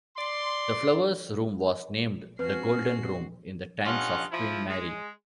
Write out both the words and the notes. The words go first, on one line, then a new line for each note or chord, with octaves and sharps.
The Flowers' Room was named the Golden Room in the times of Queen Marie.
D5 C6
F3 C4 F#4 B4 G#5 F6 C7
G2 C#4 F4 D#5 F#5
F3 E4
G#3